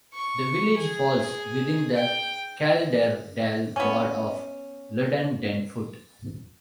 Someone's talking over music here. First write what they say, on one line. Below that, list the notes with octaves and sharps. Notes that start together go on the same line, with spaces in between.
The village falls within the Calderdale Ward of Luddendenfoot.
C#6
G#4
G5
B3 C#4